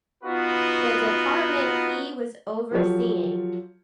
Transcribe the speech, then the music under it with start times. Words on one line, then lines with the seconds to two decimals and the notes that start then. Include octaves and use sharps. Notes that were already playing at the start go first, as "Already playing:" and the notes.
the department he was overseeing
0.24 B3 D#4 F4 F#4 B4
2.71 F3 F#3 F4 G4 A4 C#5